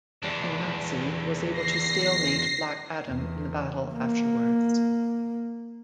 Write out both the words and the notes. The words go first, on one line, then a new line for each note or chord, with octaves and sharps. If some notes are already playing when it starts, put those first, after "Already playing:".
Captain Nazi was able to stalemate Black Adam in the battle afterwards.
E2 D4
A#6 C7
E2
A#3